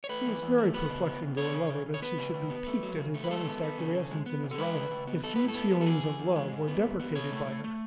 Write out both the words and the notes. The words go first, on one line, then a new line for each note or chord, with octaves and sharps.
It was very perplexing to her lover that she should be piqued at his honest acquiescence in his rival, if Jude's feelings of love were deprecated by her.
C#5
A3 B4
E2
E2
A3
B3 B4
C#3
B3
C#3
B3 C#5
C#3
C#3
C#3
C#5
B3 B4
C#3
C#3
B3
A3
F#3
C#3
A3
B4
G#3 A4
B3
B3
C#3
C#3
G#3
B3
C#3
A4
G#3 B4
C#3
C#3
B3
B3 A4
A2 B4
A4
B3
B3
A4
E2 G#4
E2
E2
G#3
G#2
B3
G#2
B3
B2 C#5
A3
A3
A3